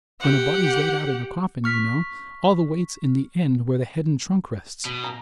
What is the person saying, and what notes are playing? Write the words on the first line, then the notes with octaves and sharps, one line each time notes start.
When a body's laid out in a coffin, you know, all the weight's in the end where the head and trunk rest.
G4 F#5
C#6 F6 B6
B2
A#5